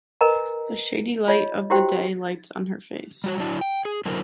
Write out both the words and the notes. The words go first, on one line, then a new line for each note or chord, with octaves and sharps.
The shady light of the day lights on her face.
A#4 B4 D#5 G#5 A#5
F4 C#5 D#5
E4 F#4 G4 C5 G5
G3 F#4 C#5
F#3 D4 E4
G5
G#4
D3 F#3 E4 F#4 A#4 C5